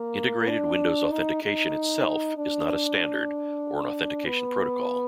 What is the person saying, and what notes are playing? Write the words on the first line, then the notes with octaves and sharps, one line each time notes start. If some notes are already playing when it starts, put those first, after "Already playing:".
Integrated Windows Authentication itself is not a standard or an authentication protocol.
Already playing: A#3
D4
D#4
D#4
D4
B3